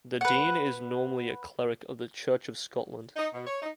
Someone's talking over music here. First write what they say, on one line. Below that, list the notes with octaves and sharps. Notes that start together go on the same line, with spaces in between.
The Dean is normally a cleric of the Church of Scotland.
B4 F#5
D#4
B2
C#5
D#4